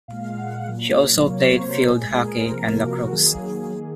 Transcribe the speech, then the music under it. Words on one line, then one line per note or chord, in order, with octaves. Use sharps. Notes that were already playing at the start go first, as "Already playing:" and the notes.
She also played field hockey and lacrosse.
A#2 G#3 F5
F#5
A#2 F#3 A#3
C3 F#3 A#3 C#5
C#5
C5
A#4
A#4
A#2 G#3 G#4
G#4
A#4
C5
C3 F3 A#3 A#4
F#4
D#3 F#3 A#3 G#4
D#3 A#3